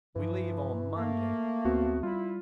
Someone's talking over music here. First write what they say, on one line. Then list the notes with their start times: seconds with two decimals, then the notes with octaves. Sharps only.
"We leave on Monday."
0.16 G2 E3 F3
0.96 A3 A#3
1.65 D2 B3 C4 F#4
2.03 G3 E4 F4